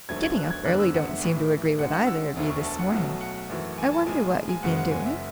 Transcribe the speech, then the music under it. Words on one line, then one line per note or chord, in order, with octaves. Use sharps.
"Getting up early don't seem to agree with either of you this morning: I wonder what you've been doing?"
E1 D2 D3 F#3 A3 G#6
G#6
F#6
G#6
F#1 E2 D3 G#3 F#6
E6
F#5
E5
A1 A2 E3
D2 D3 G#3 F#5
F#5
E6
E1 D2 D3 A3
C#6
A5
F#5
B1 B2 F#3 A3
F#5
G#1 F#2 E3 A3
G#5
A5
B1 A2 G#3 G#5
G#5
F#1 F#2 C#3 G#3 F#5
F#5
G#5
E5